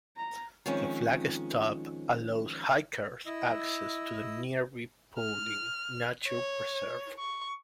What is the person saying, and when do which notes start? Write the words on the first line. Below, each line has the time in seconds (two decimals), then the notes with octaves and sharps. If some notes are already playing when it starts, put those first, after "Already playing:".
The flag stop allows hikers access to the nearby Pawling Nature Preserve.
0.16 A#5
0.66 D#3 F3 G#3 C4 C#4
3.26 E4 D#5 E6
5.19 F6
6.28 C#5
7.18 C#6